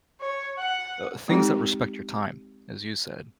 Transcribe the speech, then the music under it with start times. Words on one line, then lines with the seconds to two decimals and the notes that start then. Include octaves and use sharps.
uh, things that respect your time, as you said
0.21 C#5
0.59 F#5
1.28 G#3 C4 D#4 G4